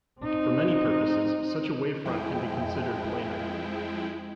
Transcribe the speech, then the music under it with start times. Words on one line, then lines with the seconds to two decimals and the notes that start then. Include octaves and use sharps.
For many purposes, such a wavefront can be considered planar.
0.20 C4 D#4
2.05 F2 F3 G#3 E4 G5